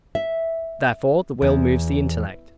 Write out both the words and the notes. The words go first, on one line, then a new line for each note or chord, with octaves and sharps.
Therefore the will moves the intellect.
E5
E2